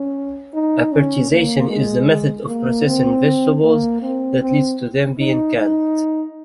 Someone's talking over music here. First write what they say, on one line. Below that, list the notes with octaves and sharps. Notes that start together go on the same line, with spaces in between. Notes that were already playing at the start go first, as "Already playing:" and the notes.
Appertization is the method of processing vegetables that leads to them being canned.
Already playing: C#4
D#4
C#4
A#3
G#3
A#3
C4
A#3
C4
C4
D#4
D#4